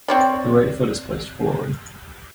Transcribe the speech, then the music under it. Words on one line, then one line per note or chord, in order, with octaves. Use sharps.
The right foot is placed forward.
C4 C#5 D5